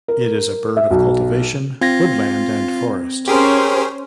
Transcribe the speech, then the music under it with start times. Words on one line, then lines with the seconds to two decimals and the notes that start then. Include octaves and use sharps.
It is a bird of cultivation, woodland and forest.
0.08 A#4
0.77 E5
0.91 B1
1.81 C4 F4 G#6 A#6
3.28 C#4 G4 G#4 A#4 C5